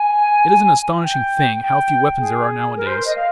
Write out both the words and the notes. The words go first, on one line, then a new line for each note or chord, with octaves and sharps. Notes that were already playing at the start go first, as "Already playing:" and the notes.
It is an astonishing thing how few weapons there are nowadays.
Already playing: G#5
G5
G5
G#4
A#4
C5
D#5
F5